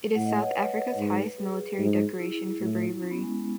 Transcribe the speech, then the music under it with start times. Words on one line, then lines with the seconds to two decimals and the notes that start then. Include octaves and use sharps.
It is South Africa's highest military decoration for bravery.
0.15 A2 F#5
0.26 D#5
0.36 C#5
0.46 B4
0.97 G#2
1.38 G#4
1.79 G#2
2.19 E4
2.61 A2
3.02 C#4
3.11 B3
3.23 G#3